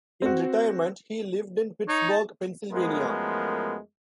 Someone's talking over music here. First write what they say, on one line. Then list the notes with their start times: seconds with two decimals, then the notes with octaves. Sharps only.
In retirement, he lived in Pittsburgh, Pennsylvania.
0.22 C4 F#4
1.88 D#4 C#5
2.10 A5
2.73 F#2 F3 G#3 A3 B3 A#4